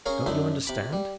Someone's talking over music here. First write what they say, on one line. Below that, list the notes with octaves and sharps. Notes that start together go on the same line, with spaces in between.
Don't you understand?
C#4 G#4 A#4 C#5 F5
F#2 D3 D#4 E4 C6
C3 B5 D6
G3